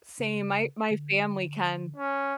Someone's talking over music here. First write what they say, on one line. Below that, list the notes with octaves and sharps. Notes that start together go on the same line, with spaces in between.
Same, my my family can
C#3
D3
C#4